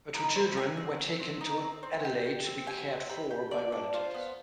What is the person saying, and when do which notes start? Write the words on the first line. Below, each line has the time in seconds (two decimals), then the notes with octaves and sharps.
Her two children were taken to Adelaide to be cared for by relatives.
0.14 D#4 B5
0.35 C4
0.57 G4 G#5
0.77 C4
0.99 C4
1.20 C4
1.41 D#4
1.62 C4
1.83 C4
2.05 G4
2.26 G4
2.46 C4
2.67 G4 G#5
2.88 C4
3.09 G4 B5
3.31 G4
3.51 D4 D5
3.72 D4
3.93 F4 C5
4.14 B3